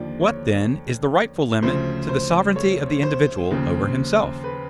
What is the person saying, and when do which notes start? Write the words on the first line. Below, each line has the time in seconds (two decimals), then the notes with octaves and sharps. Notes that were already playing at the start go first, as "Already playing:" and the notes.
What, then, is the rightful limit to the sovereignty of the individual over himself?
Already playing: D#2 D3 F3 D5
0.21 C#5
1.62 D2 C#3 F3 C5
2.09 C5
2.56 C#5
3.03 C5
3.51 D#2 C#3 F3
4.44 B4